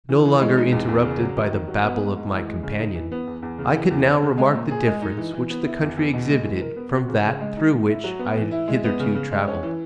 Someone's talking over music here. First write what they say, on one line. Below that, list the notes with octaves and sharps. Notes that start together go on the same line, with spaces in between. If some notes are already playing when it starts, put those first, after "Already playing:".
No longer interrupted by the babble of my companion, I could now remark the difference which the country exhibited from that through which I had hitherto travelled.
E3
E3
G#3
D#4
E2
E2
C#3
F#3
D#3
D#3
F#3
B3
G#2
G#2
E3
G#3
C#3
D#4
E3
B3
E2
E2
C#3
E3
E2
C#4
C#3
G#3
A#2
G#4
G#3
D#4
E3
E3
B3
E4
E2
E2
B2
G#3
E3
A#4
B3
F#4
C#3
C#3
G#3
D#4
A#2
E4
F#3
B3
E3
E4
G#3
B3
C#3
C#3
G#3
C#4
E3